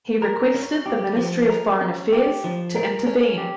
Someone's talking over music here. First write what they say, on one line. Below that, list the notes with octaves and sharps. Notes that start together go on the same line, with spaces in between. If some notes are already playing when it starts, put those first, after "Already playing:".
He requested the Ministry of Foreign Affairs to intervene.
A#4
C#4
G4
F3
A#4
C#4
G4
F3
A#4
C#4
G4